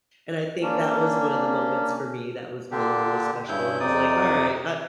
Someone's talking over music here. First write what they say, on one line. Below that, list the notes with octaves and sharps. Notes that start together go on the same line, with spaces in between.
and I think that was one of the moments for me that was really, really special, and I was like, "Alright, I
A#3 C#4 D4
A#2 D3 D4 G4
G2 C#3 E4 G6
F2 C3 D#4 D5 D#6